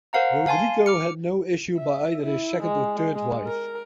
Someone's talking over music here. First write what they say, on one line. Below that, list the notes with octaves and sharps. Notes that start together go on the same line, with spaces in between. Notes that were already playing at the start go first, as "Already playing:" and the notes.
Rodrigo had no issue by either his second or third wife.
A#4 C5 F5 F#5 A#5
F5 G#5 A5 C6
D6 F6 C#7
E5
E4
G#3
G#3
A#4